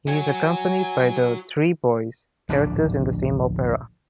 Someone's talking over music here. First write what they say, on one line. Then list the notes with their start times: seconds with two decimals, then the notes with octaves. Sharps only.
He is accompanied by the Three Boys, characters in the same opera.
0.08 F#4 C#5 G#5
2.49 D1 A#1 G#2 D4